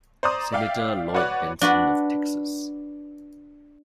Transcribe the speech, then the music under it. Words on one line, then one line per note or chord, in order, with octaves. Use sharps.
Senator Lloyd Bentsen of Texas.
C5 D5 A#5 D#6
D5 E5 F5 G5
F#4 B4 C#5 D5 F#5
D4 F#4 B4